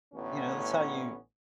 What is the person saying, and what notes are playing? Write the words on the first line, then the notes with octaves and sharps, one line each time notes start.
You know, that's how you
A1 A2 D3 B3 C#4